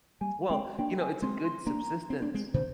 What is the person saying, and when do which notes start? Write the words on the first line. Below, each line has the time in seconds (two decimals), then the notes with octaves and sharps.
Well, you know, it’s a good subsistence,
0.21 G3 A#3 G#5
0.50 G#3 C4 G5
0.79 A#3 D4 G5
1.01 G#5
1.22 G#3 C4 C6
1.44 C6
1.66 A#3 D4 A#5
2.10 C4
2.22 D4
2.34 G#3 C4
2.54 A#2 D3 C5